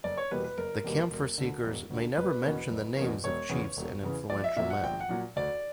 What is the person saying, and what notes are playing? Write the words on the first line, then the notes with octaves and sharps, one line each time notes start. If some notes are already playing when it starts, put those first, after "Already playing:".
The camphor-seekers may never mention the names of chiefs and influential men.
F#1 D5
C#5
E2 B2 G3 A#3 B4
B4
F#1 A#4
E2 B2 G3 A#3
E1
D2 D3
E1
D2 D3
F#1 B4
E2 B2 A#3 C#4
F#1
E2 B2 A#3 C#4
E1 C#5
E2 C#3 E3
E1
E2 C#3 E3
A#1 D5
E5
A#2 F#3 E5
F#5
A#1 G5
F#5
A#2 F#3
D2 D5